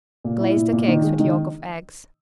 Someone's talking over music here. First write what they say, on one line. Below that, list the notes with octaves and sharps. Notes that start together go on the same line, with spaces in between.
Glaze the cakes with yolk of eggs.
A#2
E4
A#2
A#2
D#3
G#3
D#3